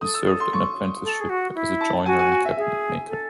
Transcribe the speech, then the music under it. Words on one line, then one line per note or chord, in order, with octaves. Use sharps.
He served an apprenticeship as a joiner and cabinet maker.
A4 D#6
E6
D#6
C6
C#6
A4
G#4
F#4
E4
A5
F#4 G#5
G#5
G#5
E5
G#4 E5
A4